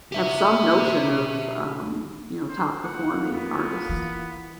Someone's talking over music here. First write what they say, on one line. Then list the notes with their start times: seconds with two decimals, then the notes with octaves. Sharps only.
have some notion of, um, you know, top performing artists.
0.12 G4 E5
2.48 C5
2.84 A#3 F4 F#5
3.33 B3
3.89 E3